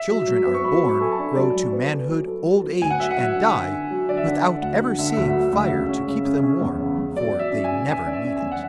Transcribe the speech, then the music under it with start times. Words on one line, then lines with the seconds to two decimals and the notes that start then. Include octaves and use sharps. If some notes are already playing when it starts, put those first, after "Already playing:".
Children are born, grow to manhood, old age, and die without ever seeing fire to keep them warm for they never need it.
Already playing: E5
0.10 F#3
0.27 F#3
0.46 B3
0.54 C#6
0.63 F#3 B5
0.82 F#3
0.88 C#6
1.00 A4 G#5
1.12 A5
1.19 D4
1.36 F#3 D5
1.55 F#3
1.73 B3
1.91 A4
2.08 F#3
2.27 A4
2.45 F#3
2.63 B3
2.81 D2 G#5
2.90 F#5
2.99 F#3 E5
3.11 F#5
3.18 F#3
3.36 D3
3.54 D3
3.72 D3
3.90 F#3
4.08 D3 D5
4.17 E5
4.26 D3 F#5
4.44 D3
4.62 D2 F#5
4.81 D3
4.99 D3 E5
5.05 F#5
5.13 D2 E5
5.35 F#3
5.53 D2
5.71 C#3
5.89 C#4
6.08 C#3
6.25 C#3
6.43 C#4
6.61 E2
6.80 C#3
6.98 E2
7.16 F#3 D5
7.34 F#3
7.39 E5
7.52 C#4
7.64 G#5
7.71 C#3
7.88 C#3 G#5
8.07 C#4 D5
8.13 E5
8.25 C#4
8.37 G#5
8.42 E2
8.52 F#5